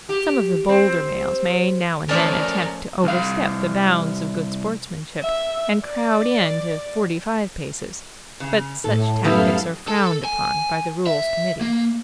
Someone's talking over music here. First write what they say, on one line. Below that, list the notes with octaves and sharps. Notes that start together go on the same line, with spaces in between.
Some of the bolder males may now and then attempt to overstep the bounds of good sportsmanship and crowd in to forty-five paces, but such tactics are frowned upon by the Rules Committee.
G4
C4
F3 A3 C#4 A#4 C#5 D5 A5 F6
C2 F5
E5
D5
C#3
A2 A4
F#2 G3 B3 E4 A4 F5
A4 A5
G#5
E5
A#3